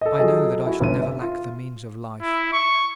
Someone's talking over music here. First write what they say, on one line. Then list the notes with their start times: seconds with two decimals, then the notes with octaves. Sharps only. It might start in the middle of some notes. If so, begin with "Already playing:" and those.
"I know that I shall never lack the means of life!"
0.01 A4 D#5
0.18 F3 F#3 F#4 G#4 A4 D#5
0.66 E4 F#4
0.80 G1 D3 C#4 D#7
1.02 E5
1.22 F4
2.22 E4
2.53 C#6